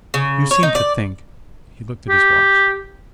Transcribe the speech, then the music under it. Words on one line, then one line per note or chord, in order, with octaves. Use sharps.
"You seem to think--" He looked at his watch.
C#3
C#5
D#4
D5
G4